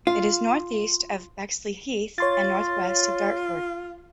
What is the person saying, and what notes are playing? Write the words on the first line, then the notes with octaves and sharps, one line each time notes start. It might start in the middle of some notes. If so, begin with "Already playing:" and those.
It is northeast of Bexleyheath and northwest of Dartford.
F4
F4 C#5 C6 A6